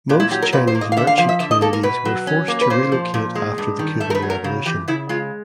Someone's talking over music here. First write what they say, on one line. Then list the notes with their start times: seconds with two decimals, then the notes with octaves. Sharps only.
Most Chinese merchant communities were forced to relocate after the Cuban Revolution.
0.09 A#2 D4
0.20 E4
0.31 F#3 G4
0.42 A#4
0.53 A#2 B4
0.67 C5
0.75 A#3
0.81 D#5
0.92 F5
0.97 D3 E5
1.07 F5
1.18 F3 F5
1.29 E5
1.40 D3 E5
1.51 D#5
1.61 A#3 A4
1.73 A#4
1.83 B2 B4
2.05 F#3
2.27 C#4
2.48 A#3
2.61 B4
2.70 A#2 C5
2.92 F3
3.14 A#2
3.35 G#3
3.58 G2
3.79 D#3
4.00 A3 E5
4.10 A#4
4.15 B4
4.22 F#3
4.30 A#4
4.44 C#3
4.66 E3 G4
4.88 C#3 E4
5.09 G#3 F4